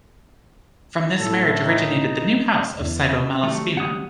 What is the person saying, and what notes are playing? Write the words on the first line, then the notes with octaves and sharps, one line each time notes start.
From this marriage originated the new house of Cybo-Malaspina.
A2 A4
D#4
E2
D#3 F#3 G3 A3
F#5 D#6